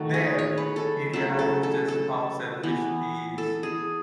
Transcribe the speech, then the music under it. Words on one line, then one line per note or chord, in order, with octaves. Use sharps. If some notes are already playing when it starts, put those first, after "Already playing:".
There, he realizes just how selfish he is.
Already playing: D#3 A3 F#4
G#4
C#5
B4
A4
C#3 F#3 A3 A4
A4
A4
A4
E3 B3
A4
G#4